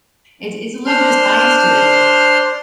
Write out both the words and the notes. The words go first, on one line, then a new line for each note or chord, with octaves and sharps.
It's it's a little bit of science to it.
D4 C5 C6 F6